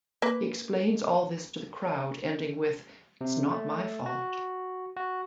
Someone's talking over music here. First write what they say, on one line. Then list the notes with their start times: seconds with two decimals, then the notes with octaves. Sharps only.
He explains all this to the crowd, ending with It's not my fault!
0.22 A#3 B4
3.21 C3
3.51 A3
4.06 F#4
4.97 F#4